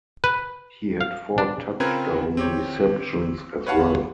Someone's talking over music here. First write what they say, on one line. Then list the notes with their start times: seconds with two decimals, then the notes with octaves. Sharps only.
He had four touchdown receptions as well.
0.24 B4
1.01 F5
1.38 D4
1.80 C#3 C4 F4 A#4 B4 G#6
2.37 C4 G4 C#5
3.67 B4 C#5 F5 F#5 A5 C#6